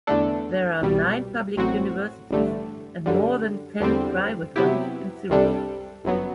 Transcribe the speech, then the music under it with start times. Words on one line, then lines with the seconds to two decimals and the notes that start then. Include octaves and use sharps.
There are nine public universities and more than ten private ones in Syria.
0.07 E2 D3 A3 D4 A4
0.82 C2 B2 G3
1.56 A1 A2 F#3 C4 F#4
2.30 A1 G2 D3 A3
3.06 F#2 D3 G3
3.80 E2 D3 G3 C4
4.56 C3 F#3 B3 E4 G4
5.30 C2 C3 G3 D4 A4
6.04 G1 F#2 F#3 B3